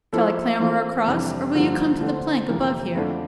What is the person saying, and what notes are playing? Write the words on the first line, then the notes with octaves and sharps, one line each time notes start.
"Shall I clamber across, or will you come to the plank above here?"
F3 A#3 E4 A4 C5
E3 A3 C4 F4
F2 C3 E3 G3 D4
G2 D3 F3 A#3
D3 A3 C4
F2 C3 E3 A#3
F2 D3 A3 D4 F4